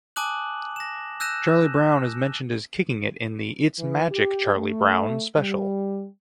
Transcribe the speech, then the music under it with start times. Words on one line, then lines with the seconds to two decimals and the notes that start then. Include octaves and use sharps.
Charlie Brown is mentioned as kicking it in the "It's Magic, Charlie Brown" special.
0.16 G#5 A5 D6 D#6 F#6 F#7
0.76 A#6 E7
1.20 E6 F#6 G6 A#6 D#7 E7
3.78 E3
4.11 G4
4.56 A3
5.38 G3